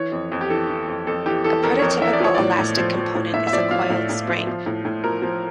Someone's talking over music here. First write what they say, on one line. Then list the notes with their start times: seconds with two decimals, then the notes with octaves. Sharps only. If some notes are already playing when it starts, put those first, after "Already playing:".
A prototypical elastic component is a coiled spring.
Already playing: E3 C#5
0.12 F2
0.32 F2
0.41 G4
0.50 E3 A4
0.69 E3
0.88 F2
1.07 F2 A4
1.26 E3 G4
1.44 E3 A4
1.63 F2 A#4
1.79 C#5
1.82 F2 A#4
2.01 E3 E5
2.13 D5
2.20 F3 C#5
2.35 A2 D5
2.59 A2
2.77 F3
2.96 F3
3.15 A2
3.34 A2 E5
3.47 E5
3.53 F3 D5
3.71 F3 F5
3.90 A2
4.09 A2
4.28 F3
4.47 F3
4.66 A2
4.85 A2
5.04 F3 A#4
5.22 F3